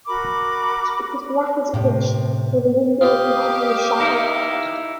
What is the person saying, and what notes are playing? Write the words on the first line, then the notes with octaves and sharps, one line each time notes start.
It was black as pitch, for the windows were heavily shuttered.
F#4 A#4 B5 D6
A2 C3
G4 F5 D#6
D#4 E4